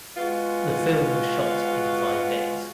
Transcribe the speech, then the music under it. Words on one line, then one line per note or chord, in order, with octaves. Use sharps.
The film was shot in five days.
G#3 B3 F4 F#4